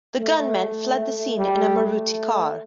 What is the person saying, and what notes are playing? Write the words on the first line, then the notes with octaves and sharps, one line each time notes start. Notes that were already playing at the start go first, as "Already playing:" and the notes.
The gunmen fled the scene in a Maruti car.
A3
A3
G3
A3